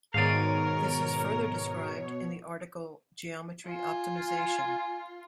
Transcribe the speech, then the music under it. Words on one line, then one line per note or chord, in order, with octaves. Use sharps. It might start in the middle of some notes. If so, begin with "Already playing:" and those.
This is further described in the article geometry optimization.
G#2 B2 D#3 A#4 C#5 D5 F5 D#7
F4 G#5